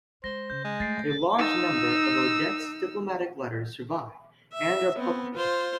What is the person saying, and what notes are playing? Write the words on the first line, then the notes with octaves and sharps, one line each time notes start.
A large number of Odet's diplomatic letters survive and are published.
G#3 C5 A#6
C#3 G6
G#3
A3 A6 C7 D7
D#4 E6
E5
B3 C4
F4 C5